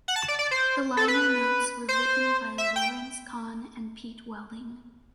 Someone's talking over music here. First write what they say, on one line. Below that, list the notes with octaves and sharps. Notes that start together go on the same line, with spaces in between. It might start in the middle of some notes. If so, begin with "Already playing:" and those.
The liner notes were written by Lawrence Cohn and Pete Welding.
F#5
A5
D5
D5
C5
A4
B4
C5
E5
G5